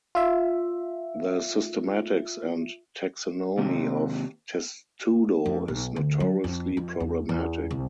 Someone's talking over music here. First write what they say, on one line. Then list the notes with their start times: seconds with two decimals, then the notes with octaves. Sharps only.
The systematics and taxonomy of "Testudo" is notoriously problematic.
0.15 F4 E5
3.58 D#2 C3
5.46 F2
5.68 B1
5.96 D2
6.20 F#3
6.44 F2
6.77 F2
7.00 E2
7.29 E2
7.71 C2